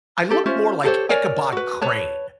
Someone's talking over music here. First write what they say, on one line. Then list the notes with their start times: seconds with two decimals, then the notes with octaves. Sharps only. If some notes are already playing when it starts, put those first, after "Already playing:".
I looked more like Ichabod Crane
0.30 G4 A4
0.46 C#4 F4 C5 E5
0.84 G4 A4 C5 C#5
1.09 A#4 C#5 D5 G#5
1.52 F#4 B4
1.82 B4 C#5 A5